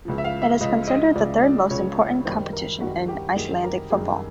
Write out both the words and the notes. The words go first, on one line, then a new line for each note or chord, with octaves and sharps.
It is considered the third most important competition in Icelandic football.
C#2 C#3 F3
E5
F5
E5
C#2 C#3 F3 D#5
D#5
C#2 C#3 F3 D5
D5
C#2 C#3 F3 C#5
C#5
F#2 D#3 G3 C5
A#4
F#2 D#3 G3 F#4
G4
F#2 D#3 G3 G#4
A#4
F#2 D#3 G3 G#4